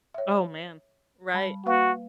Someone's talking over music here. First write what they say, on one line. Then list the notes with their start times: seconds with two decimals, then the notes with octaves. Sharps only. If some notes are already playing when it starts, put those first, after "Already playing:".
Oh, man. Right.
0.14 C#5 E5
1.34 G3 A5 B5
1.66 A#3 F#4 B4 F5